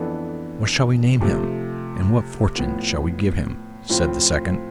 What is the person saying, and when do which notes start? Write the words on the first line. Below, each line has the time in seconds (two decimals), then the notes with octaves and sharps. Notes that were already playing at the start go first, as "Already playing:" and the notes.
What shall we name him, and what fortune shall we give him?' said the second.
Already playing: F2 E3 B3 D4 A4
1.21 C3 F3 A3
2.55 A2 F3 B3
3.89 A2 F3 C4 F4